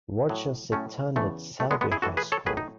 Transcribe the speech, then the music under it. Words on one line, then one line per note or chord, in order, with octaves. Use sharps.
Warchus attended Selby High School.
A2 F#3
A2 F#3 A3 C#4
E2 C#3 E3 A3
A2 F#3 A3
G#3 B3
G#3 B3
E4 G#4
A2 E3 F#4 A4
G#4 B4
A4 C#5
A2 F#3 G#4 B4
D#4